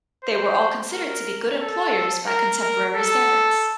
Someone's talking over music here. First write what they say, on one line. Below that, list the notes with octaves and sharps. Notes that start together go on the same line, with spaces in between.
They were all considered to be good employers by contemporary standards.
C5
A#4
A4
A#4
A#4
A4